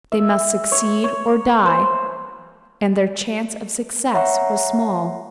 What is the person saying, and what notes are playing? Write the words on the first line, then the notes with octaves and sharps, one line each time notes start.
They must succeed or die, and their chance of success was small.
E5
C#5
C#5
C5
C#5 E5 F#5 A#5 C#6